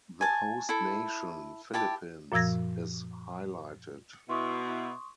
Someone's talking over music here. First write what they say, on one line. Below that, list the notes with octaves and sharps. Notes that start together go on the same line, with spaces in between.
The host nation, Philippines, is highlighted.
G#5 A5
E4 A4
E4 G4 A5
F#2 A#2 F3 E6 G#6 A#6
B2 E4 C6 C#6 D#6